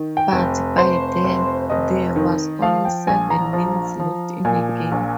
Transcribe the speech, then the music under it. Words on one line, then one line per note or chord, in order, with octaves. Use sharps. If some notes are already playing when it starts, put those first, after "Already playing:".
But by then, there was only seven minutes left in the game.
Already playing: D#3
G5
F1
F1 C5
F1
F1 D#5
D#3
F3 F5
G5
A#1 G#5
A#5
F3
F3
A#2 G#5
A#1